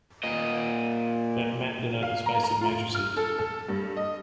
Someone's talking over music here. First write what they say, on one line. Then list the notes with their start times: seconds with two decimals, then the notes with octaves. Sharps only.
Let Mat denote the space of matrices.
0.23 A#2 D#5
2.03 F5
2.26 A#5
2.43 A#5
2.61 F4
2.95 F6
3.17 A4
3.38 A4
3.68 G2
3.97 D#5